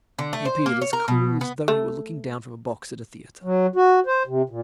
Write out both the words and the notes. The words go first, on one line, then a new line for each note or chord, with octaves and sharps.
He appeared as cool as though he were looking down from a box at a theatre.
D3
A3
C5
A#3
C#5
A#4
B2
B3
A3
F#3
F#4
C5
C3
A#2